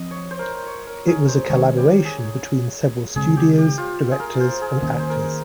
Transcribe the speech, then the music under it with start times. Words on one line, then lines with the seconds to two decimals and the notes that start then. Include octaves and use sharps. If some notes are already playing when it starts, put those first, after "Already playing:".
It was a collaboration between several studios, directors and actors.
Already playing: F3 C4 D#5
0.11 C#5
0.31 C5
0.39 A#4
0.66 C#5
0.87 A#4
1.07 G#4
1.28 C5
1.49 D#3 G#3 C#4 C#5
1.77 G4
2.05 G#4
3.16 C#3 G#3 C4 G#4
3.37 G4
3.58 G4
3.78 F4
4.11 G#4
4.20 A#4
4.40 C5
4.61 G#4
4.82 D#3 A#3 C#4 G#4
4.99 C5
5.10 A#4